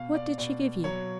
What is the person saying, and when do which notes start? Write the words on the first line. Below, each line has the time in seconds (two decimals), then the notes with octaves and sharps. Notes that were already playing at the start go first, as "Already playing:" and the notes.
'What did she give you?'
Already playing: B2 F5
0.15 D5
0.38 B2 D5
0.84 F#3 C#5